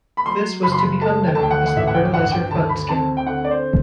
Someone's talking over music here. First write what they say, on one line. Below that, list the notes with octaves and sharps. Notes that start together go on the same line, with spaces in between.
This was to become known as the Fertilizer Fund scam.
B5
F#3 C6
F#1 B5
C6
B5
A3 A5
G5
A5
D2 G5
F#5
F#5
A1 E5
F#5
G5
G2 F#5
G5
D2 A5
B5
C4 A5
G5
D3 F#5
D5
C5